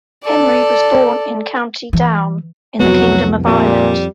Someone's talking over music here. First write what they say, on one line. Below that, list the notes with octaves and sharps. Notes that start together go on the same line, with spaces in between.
Henry was born in County Down in the Kingdom of Ireland.
A4 D5
E3
C2 F2 F#3 B3 F#4
F2 A#2 G3